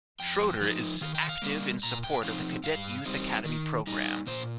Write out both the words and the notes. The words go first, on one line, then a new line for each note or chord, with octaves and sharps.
Schroder is active in support of the Cadet Youth Academy program.
F2 G5
F3 D#4
D#3 F5
G5
F5
G3 A#3
A#2 A#5
G5
F3 C4 D#4 F5
G2 F5
G3 C4 D#4
D#3
G3 D#4
A#2 C5